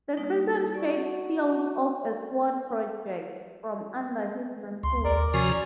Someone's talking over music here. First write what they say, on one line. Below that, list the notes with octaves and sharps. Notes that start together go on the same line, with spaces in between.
The crescent-shaped hilt of a sword projects from under his mantle.
G3 A#3 D#4
F#4 D5 C#6
C#2 C6
D#2 A#4 D5
C3 F3 C#4 F#4